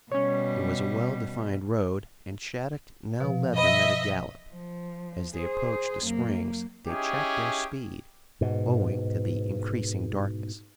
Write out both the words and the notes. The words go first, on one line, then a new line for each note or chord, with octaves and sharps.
There was a well defined road and Shattuck now led them at a gallop. As they approached the springs they checked their speed, owing to the increasing darkness.
B2 G3 C#4 C#5
B2 F3
D#5 E5 B5
F3
G#4 C5
F#2 A#3
C#4 D#4 E4 G4 G#4
G#2 B2